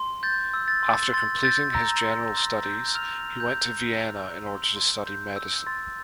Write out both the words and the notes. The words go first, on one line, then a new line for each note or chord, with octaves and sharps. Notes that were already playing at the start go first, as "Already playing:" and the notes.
After completing his general studies he went to Vienna in order to study medicine.
Already playing: C6
G6 A6
E6
A6
C6
C6 A6
G6 A6
A#5 E6 A#6
C6
C6
G6
E6 F6 F7
C6
G6
C6
G6
E6
C6
C6
G6
E6
C6 A6